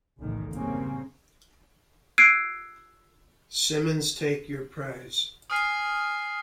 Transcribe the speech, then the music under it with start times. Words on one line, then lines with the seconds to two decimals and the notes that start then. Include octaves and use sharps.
Simmons, take your prize.
0.18 F#1 B1 E2 A2 D#3
0.53 C#3 G3 A#3 C4 C#4
2.18 E6 F#6 G#6 C7 D7 D#7
5.50 G#5 D#6 F6 C7